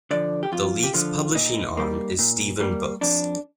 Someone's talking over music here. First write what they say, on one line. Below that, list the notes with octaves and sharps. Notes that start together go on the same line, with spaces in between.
The League's publishing arm is Steven Books.
D3 F3 D5
G4
F2 F4
G4
D3 F3 F4
A#2 D#4
G3 A#3
A#2
G3 A#3
F2 D4